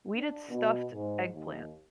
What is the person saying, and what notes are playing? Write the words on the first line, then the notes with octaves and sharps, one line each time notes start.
We did stuffed eggplant.
D4
B2
G#2
D#2